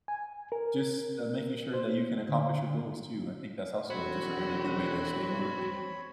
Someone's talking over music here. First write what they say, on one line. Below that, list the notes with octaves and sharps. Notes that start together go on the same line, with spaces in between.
just, uh, making sure that you can accomplish your goals too. I think that's also just a really good way to stay motivated.
G#5
A#4
C5
D3
E1 C4 F#4 C#5 B5